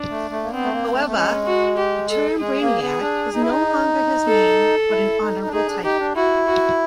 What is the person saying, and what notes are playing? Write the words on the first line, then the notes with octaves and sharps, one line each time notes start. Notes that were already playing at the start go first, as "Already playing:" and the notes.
However, the term "Brainiac" is no longer his name but an honorable title.
Already playing: D4
A3
A3
A#3
B3 C4
A3
A#3
A3
A3
G#3 C#4
F#4
G4
A4
G#3 G#4
A#3
B3
D4
D#4
E4
D#4
A4
E4
D#4
D4
D#4 G#4
D4
D#4 G4
D4
E4 F#4
F#4